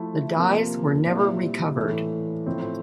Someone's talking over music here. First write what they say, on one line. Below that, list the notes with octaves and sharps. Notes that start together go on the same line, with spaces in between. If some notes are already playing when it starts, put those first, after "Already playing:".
The dies were never recovered.
Already playing: F3 A3 E4
C3 F3 A#3 F4
A#2 G3 C4 E4
A2 E3 A3
A2 F3 C4